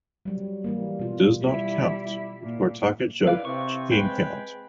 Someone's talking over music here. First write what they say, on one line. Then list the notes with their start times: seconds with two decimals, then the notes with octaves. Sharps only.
Does not count in Cortaca Jug game count.
0.25 F#3 G3
0.64 E3 G3 A#3
0.99 B2 F4
1.44 G3 E4
2.43 A#2
3.27 E4 B4 D5 F5
3.45 C3 C4 C#6
3.91 G#3 B4 G5